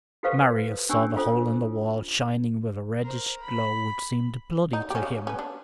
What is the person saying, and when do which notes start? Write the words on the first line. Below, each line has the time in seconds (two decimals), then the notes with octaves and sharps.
Marius saw the hole in the wall shining with a reddish glow which seemed bloody to him.
0.23 F#4 G4 A4 B4 C5 F5
0.89 C#4 D4 G4 G#5 E6
1.16 F4 A4 C5
3.02 A#4 C5
3.43 B5
4.73 D#4
4.90 C#4 G4
5.03 C#3
5.27 C#4 B4
5.39 D4